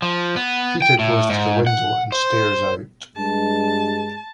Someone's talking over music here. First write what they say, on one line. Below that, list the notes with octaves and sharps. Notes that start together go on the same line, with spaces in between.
Peter goes to the window and stares out.
F3
B3
G5
A2
G#2
F#5
C5
G2 G#3 A5